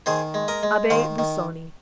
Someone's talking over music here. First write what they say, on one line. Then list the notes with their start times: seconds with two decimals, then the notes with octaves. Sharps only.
"Abbe Busoni."
0.06 D#3 G#4 C5
0.34 G#3
0.48 A#4 D#5
0.63 G#3
0.90 D#3 C5 F5
1.18 D#3